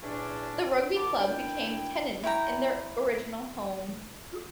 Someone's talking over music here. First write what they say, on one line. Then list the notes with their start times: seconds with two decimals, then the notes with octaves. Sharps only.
The rugby club became tenants in their original home.
0.02 E2 A#2 C#4 D4
0.95 C2 F#4 A5 B5 D6
1.15 D#2 B2 D4 E4 G5
2.24 E4 C#5 G5 A#5